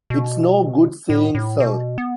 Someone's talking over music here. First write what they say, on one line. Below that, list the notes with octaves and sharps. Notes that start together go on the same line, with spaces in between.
It's no good saying 'Sir?'
B2
A2
A2
B2
B3